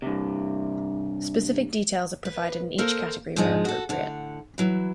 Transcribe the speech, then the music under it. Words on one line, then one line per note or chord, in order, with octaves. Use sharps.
Specific details are provided in each category where appropriate.
G2 C3
B4
A#3 A4 A#4 C5
G#2 D3 F3 G#3
F#4 A4
A2 D3 F#5
E3 F#3 E4